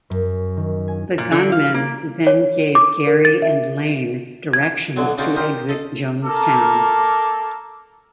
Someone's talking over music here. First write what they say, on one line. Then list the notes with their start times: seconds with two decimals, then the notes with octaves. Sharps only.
The gunmen then gave Garry and Lane directions to exit Jonestown.
0.10 F#2
0.57 D#3
0.88 G#5
1.18 A#2
1.32 D3
1.52 F5
1.74 A#3
2.27 C#5
2.75 D6
3.07 A#4
3.25 A6
3.42 E5
4.53 G#6
4.96 B1 D3 F#3
5.18 C#3 C#4 D#4 F#4 C5 D5
5.36 D#4 G4 A#4 C5
5.69 A4 D#5
6.24 A#3 A4 A#4 D6